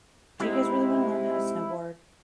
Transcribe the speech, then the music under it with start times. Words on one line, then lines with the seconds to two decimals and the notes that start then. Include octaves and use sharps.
do you guys really wanna learn how to snowboard?"
0.40 C3 G#3 D#4 E4